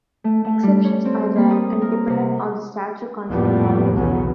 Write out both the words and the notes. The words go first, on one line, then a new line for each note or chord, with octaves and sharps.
Exceptions are rare and dependent on the statute conferring power.
A3
A3
G3
C#5
C4
A#3
D#6
A#4
C3
F2 A2 F3 G3 A#3 B3
B1 E2 C#3 F#3 B3 C#4